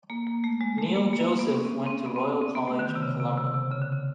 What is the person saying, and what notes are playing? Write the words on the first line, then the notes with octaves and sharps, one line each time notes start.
Neil Joseph went to Royal College, Colombo.
A#3
A#3
A3
G#3
A3
A#3
A#3
B3
C#4
C4
C4
C#4
B3
C4
C#4
C4
B3
A3
D3
D#3
C3
C#3
C3
C3
C3
C#3
D3
C#3